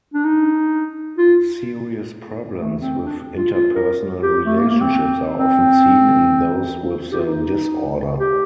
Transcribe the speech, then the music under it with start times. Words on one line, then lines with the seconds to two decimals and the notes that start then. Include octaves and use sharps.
Serious problems with interpersonal relationships are often seen in those with the disorder.
0.14 D4
0.24 D#4
1.18 F4
2.59 A3
2.81 C4
3.05 D4
3.37 F4
3.52 F4
3.75 A#4
4.23 G4
4.46 A3
4.57 A#3
4.69 A#3
4.81 C4
5.39 C4
7.12 G4
7.19 F4
7.26 D#4
8.20 G4